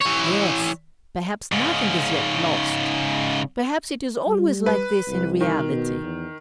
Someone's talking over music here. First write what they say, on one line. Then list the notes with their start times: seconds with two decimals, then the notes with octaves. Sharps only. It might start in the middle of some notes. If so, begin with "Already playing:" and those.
Yes! Perhaps nothing is yet lost.... Perhaps it is always like this in reality.
0.01 E3 C#5
1.52 G#2 C#3
4.27 G3
4.66 B4
5.08 C2
5.41 D#3
5.70 B2
6.03 E2